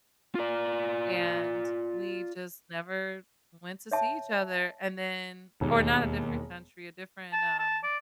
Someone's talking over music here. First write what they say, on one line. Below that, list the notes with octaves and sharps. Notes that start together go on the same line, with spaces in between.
and we've just never went to see each other. And then or not a different country, a different, um,
F4 D5
C#5 E5 A5
E1 D#2
A5
A5
D5